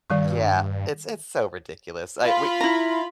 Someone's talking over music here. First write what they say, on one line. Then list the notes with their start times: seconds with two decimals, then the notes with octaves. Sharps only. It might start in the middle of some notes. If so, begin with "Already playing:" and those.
Yeah, it's it's so ridiculous. I we
0.10 G2 D#3 G3 C#6
2.22 F4 B5
2.61 E4 A#5